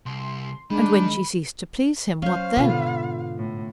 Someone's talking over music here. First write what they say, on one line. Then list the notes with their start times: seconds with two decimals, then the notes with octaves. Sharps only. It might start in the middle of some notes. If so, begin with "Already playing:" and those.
And when she ceased to please him, what then?
0.06 C2 C6
0.70 D#3 G#3 D4 D#4 B5
2.22 F#3 C#4 C5 F5
2.56 G#2 B2 D3 B3 F4
3.37 A2